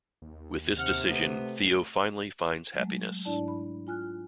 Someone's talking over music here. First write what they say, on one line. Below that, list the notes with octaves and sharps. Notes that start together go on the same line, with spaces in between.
With this decision Theo finally finds happiness.
D#2
C3 F#5 F6
A3 B3
F#3 G#3 A3
G#2 D4 E4 D5 A5
B5
F4 G#5 F6 F#6